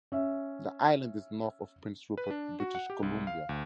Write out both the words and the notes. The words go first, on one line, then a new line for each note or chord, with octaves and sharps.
The island is north of Prince Rupert, British Columbia.
C#4 E5
B4
D4
F#4
F#5
G4
C2
F5
D2